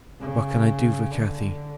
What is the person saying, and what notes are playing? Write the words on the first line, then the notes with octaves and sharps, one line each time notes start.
What can I do for Cathy?
C#3
D3